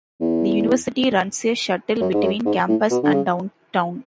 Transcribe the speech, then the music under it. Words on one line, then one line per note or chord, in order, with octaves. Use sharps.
The university runs a shuttle between campus and downtown.
E2
F#2
G#2
F#2
G#2
A2
B2
D3
C#3